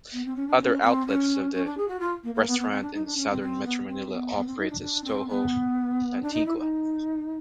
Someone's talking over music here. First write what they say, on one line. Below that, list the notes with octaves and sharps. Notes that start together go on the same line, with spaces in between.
Other outlets of the restaurant in southern Metro Manila operates as Toho Antigua.
B3
C4
C#4
D4
C#4
C4
C#4
C#4
D4
G#4
F#4
F4
A#3
A#3
B3
B3
C4
D4
D#4
D4
C#4
C4
C4
B3
C4
B3
B3
C4
D#4
D4
D4
C4
B3
D4
D#4
E4
D#4